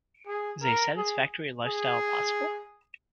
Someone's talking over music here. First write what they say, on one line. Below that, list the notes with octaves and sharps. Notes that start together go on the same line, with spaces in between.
Is a satisfactory life-style possible?
G#4
A#4
G#4
G#4